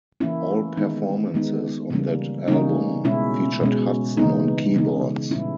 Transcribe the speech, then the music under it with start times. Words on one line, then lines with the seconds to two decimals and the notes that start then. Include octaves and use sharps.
All performances on that album featured Hudson on keyboards.
0.20 E3 A#3 C#4 E4
0.77 D#3 G#3 B3 D#4
1.34 D#3 G#3 B3 D#4
1.90 C#3 E3 G3 A#3 C#4
2.48 C#3 E3 G3 A#3 C#4 D#4
3.05 B2 G#3 C#4 E4
3.61 B2 G#3 C#4
4.17 C#3 E3 G#3 B3 D#4
4.74 C#3 E3 G#3 B3 D#4
5.31 A#2 G3 C#4 E4